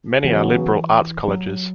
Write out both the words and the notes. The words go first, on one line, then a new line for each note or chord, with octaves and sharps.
Many are liberal arts colleges.
C#3 E3 F#3 B3 F#4
F#3